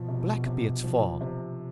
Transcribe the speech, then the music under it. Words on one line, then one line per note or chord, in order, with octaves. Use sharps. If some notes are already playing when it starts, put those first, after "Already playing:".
Black be its fall!
Already playing: B2 F3
C3
C3
F3
C3